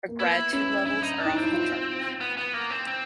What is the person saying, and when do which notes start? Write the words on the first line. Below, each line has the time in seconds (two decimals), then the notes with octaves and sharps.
Our gratitude levels are off the chart.
0.08 A#3
0.20 B3 E4
0.53 C#4 E4
0.86 D4 E4
1.03 D#4
1.20 D4
1.25 D#4
1.31 E4
1.37 C4
1.43 E4
1.53 F4
2.21 B3
2.37 B3
2.54 A#3
2.70 C4
2.87 C4